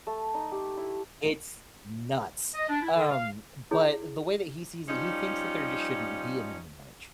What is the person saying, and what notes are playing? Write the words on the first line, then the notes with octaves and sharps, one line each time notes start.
it's nuts, um, but the way that he sees it, he thinks that there, just, shouldn't be a minimum wage.
A3
D#4
G4
E4
D#5
D4
E4
D3
F5
E4 G#4 C#5
F3 G3 C#4 D#4 F4